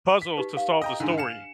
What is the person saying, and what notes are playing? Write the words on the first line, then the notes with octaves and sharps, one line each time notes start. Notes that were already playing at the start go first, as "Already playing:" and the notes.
puzzles to solve the story.
B6
D#4 G4 B4
F5
D#5 G5 A#5
G#2 D3 D4 G#5
F5 C#7 E7